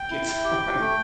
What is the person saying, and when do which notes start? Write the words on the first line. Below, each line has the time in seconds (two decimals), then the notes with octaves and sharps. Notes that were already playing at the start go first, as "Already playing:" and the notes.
gets on,
Already playing: G5
0.11 E4
0.27 E4
0.44 G4
0.62 G4
0.79 A3